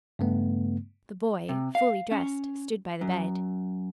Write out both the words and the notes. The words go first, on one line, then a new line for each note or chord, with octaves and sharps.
The boy, fully dressed, stood by the bed.
G2 C#3 A3 B3
C3
F5
C#4
F#2